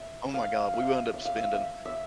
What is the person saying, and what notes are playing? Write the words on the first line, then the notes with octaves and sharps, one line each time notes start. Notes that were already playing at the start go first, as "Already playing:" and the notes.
Oh my god. We wound up spending
Already playing: E5
F5
E5
E5
F5
E5
E5
E5